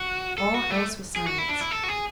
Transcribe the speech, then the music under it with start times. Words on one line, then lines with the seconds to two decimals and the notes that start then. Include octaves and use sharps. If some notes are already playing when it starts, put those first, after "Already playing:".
All else was silence.
Already playing: F#4
0.38 A4
0.54 F#4
0.72 A3
1.16 G#4
1.27 F#4
1.38 E4
1.49 D4
1.61 E4
1.71 A4
1.84 F#4
1.88 G#4